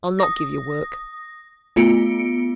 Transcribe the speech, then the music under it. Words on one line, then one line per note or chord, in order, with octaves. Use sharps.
I'll not give you work.
D#6 A#6
A3 B3 F4 C#7 D7